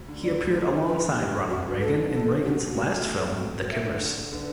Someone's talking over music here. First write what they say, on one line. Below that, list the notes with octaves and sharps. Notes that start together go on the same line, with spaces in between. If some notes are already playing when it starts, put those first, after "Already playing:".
He appeared alongside Ronald Reagan in Reagan's last film, "The Killers".
Already playing: D2
D3
D5
D3 C5
B4
D3
G4
C2 F#4
A4
B2
A4
C2 G4
F#4
G4
F#4
A3
A4
C4 F#4
E5
D3
D3 B4